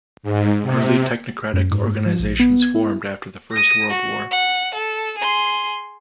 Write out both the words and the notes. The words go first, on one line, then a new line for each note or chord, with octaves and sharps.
Early technocratic organisations formed after the First World War.
G#2
C3
F#2
G#2
F3
A#1
B3
G#6
E4
D#6 A#6
F#4
F#5
A4
G#4 C6